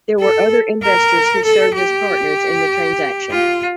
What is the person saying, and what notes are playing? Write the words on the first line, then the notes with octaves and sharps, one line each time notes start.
There were other investors who served as partners in the transaction.
A4
A#4
A4
G4
F4